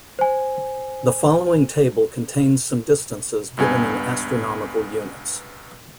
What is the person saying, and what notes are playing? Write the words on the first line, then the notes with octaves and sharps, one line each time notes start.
The following table contains some distances given in astronomical units.
C5 G#5
C#2 G2 B3 G#5